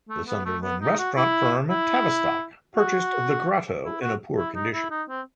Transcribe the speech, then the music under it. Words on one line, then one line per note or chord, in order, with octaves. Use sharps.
The Sunderland restaurant firm, Tavistock, purchased The Grotto in a poor condition.
A3
B3
A3
B3
D#4
F#4
E4
E4
F#4
E4
F#4
E4
D#4
E4
D#4
C4